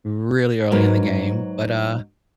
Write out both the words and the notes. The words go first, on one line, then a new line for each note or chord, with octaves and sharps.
really early in the game, but, uh
G#2 F#3 A#3 B4